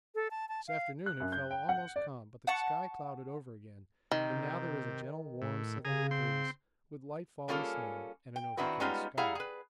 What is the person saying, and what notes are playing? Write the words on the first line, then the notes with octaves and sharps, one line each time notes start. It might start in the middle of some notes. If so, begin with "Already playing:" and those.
This afternoon it fell almost calm, but the sky clouded over again and now there is a gentle warm southerly breeze with light falling snow and an overcast sky.
A4
A5
A5
F5
F#6
F#2
G6
G5
F#5
D5
F#5 A5 C#6
C3 D#3
A2
C#3 G#4 G#5 A#5
C4 C6
G3 A#3 C#4 F4 G#4 A4
G5
D#3 C4 D4 E4 F#4 B4
G3 G#3 B3 C#4 D#4 F4
G3 E4 G#4 F5 F#5 A#5
G#4 B4